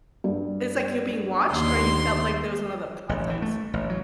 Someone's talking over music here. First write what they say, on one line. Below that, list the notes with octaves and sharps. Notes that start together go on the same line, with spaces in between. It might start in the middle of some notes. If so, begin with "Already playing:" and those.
It's like you're being watched, or you felt like there was another presence?
G2
D#2 C6
A1
E3
A3
A1
F#3